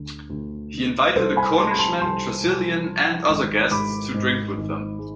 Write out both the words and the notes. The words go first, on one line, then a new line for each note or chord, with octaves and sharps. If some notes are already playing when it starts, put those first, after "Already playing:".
He invited the Cornishman, Tressilian, and other guests to drink with them.
Already playing: D2 D3
D2
D3
C2 A4 C5
G#5 B5
A3 A5 C6
B5
A5 C6
C2 A5 C6
C2
F3
G#1
G#2 B5 D6
G#2
G#1
G#3